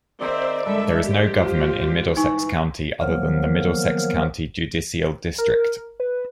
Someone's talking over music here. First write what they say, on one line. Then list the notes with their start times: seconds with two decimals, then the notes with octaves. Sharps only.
There is no government in Middlesex County other than the Middlesex County Judicial District.
0.21 D#3 C4 G#4 A#4 C5 D5 E5
0.66 G2 D3 G#3 A4 E5
1.05 G4 C5
1.39 F4
2.16 E3 D#4 G#5 C#6
3.02 D#3 F3 F#3 A#3 B3 A#4
5.38 A#4
6.00 B4